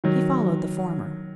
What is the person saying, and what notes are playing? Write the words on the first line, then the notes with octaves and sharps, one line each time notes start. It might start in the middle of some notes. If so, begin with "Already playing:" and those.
He followed the former.
D#3 F#3